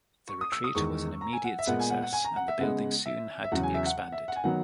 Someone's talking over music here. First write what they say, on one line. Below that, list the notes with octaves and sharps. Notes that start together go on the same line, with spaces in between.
The retreat was an immediate success, and the building soon had to be expanded.
C#6
D#6
E6
D#6
E2 D#3 G#3 C#6
A#5
G#5
F#5
E5
A#2 G#3 B3 F#5
G#5
F#5
F#5
G#5
A#5
F#5
E5
C#3 G#3 B3 F#5
E5
E5
E2 C#3 F#3 F#5
G#5
E5
F#5
F#5
E5
F#5
G#5
D#3 F#3 B3 F#5